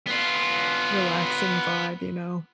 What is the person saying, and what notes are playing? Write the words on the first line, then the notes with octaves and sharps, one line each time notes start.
relaxing vibe, you know,
B3 F4